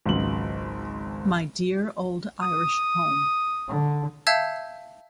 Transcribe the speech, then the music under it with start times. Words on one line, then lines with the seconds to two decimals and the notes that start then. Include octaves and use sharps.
My dear old Irish home.
0.06 G#1 C#2 F#3 F#7
2.43 D#6
3.69 D3
4.27 E5 F5 A5 E6 G6 G#6